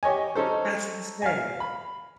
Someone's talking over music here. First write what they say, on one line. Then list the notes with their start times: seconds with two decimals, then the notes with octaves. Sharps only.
That's insane.
0.03 G4 C#5 D#5 G#5
0.35 C#4 D#4 A4 C5
1.22 F5 G#5
1.60 B5